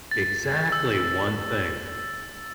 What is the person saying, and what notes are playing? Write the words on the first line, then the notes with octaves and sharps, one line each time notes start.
Exactly! One thing.
A6
E6